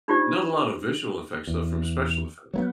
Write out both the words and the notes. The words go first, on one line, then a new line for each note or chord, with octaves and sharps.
Not a lot of visual effects, though, from special effects,
D4 D#4 F4 G4 C5 D5
E2
F#3 A#3 B3